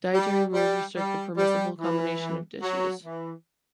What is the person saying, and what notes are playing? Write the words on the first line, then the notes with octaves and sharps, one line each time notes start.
Dietary rules restrict the permissible combination of dishes.
G3
G3
G3
G3
E3
F#3
E3